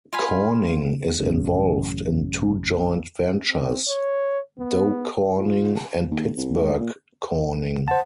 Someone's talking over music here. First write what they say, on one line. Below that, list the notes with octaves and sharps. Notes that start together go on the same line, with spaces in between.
Corning is involved in two joint ventures: Dow Corning and Pittsburgh Corning.
F4 F5 G#5 B5
A1 F#2 C#3
C4
C#5
B3
F4
D#2
C2
G#2
A#2
C5 F#5 A5